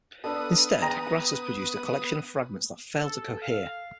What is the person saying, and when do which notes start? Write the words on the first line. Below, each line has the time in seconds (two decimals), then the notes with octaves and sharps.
Instead Grass has produced a collection of fragments that fail to cohere.
0.24 B3 D4 A4 D#6
0.82 G5 A#5
2.98 A4
3.42 F5